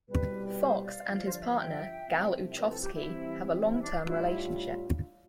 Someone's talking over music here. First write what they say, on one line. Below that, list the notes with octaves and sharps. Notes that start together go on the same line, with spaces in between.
Fox and his partner, Gal Uchovsky, have a long-term relationship.
C2 B2 G3 B4
B4
C5
D5 F5
G2 D3 F3
C5
D5
E5
F5
E5 G5
C2 C3 F3 A3 C4
E5
B4 D5
A4
G4
E4
E3 G3 C4
E4
D4
A2 G3 D4 E4 F4